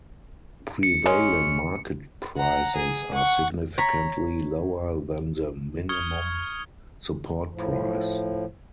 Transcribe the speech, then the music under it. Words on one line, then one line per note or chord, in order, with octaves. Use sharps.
Prevailing market prices are significantly lower than the Minimum Support Price.
C#7
G#3 C#4
F#5 A#5
G#4
F#5 C#6
C#5 A#5 B5
C#6 D#6 F6 G#6 C#7 G7
A2 F3